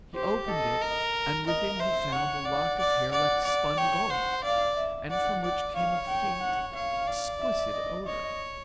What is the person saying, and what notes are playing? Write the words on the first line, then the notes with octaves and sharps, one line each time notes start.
He opened it, and within he found a lock of hair like spun gold, and from which came a faint, exquisite odour.
G4 C5
A4 D#5
A#4
A#4 D#5
C5 E5
C#5 F#5
D5 F#5
D5
D5 F#5
D5
C#5 G5
C5 F#5
D5 F5
E5
D5 F#5
D5
C#5 F5
G5
F#5
C#5 F5
D5
E5
D#5
C#5 D#5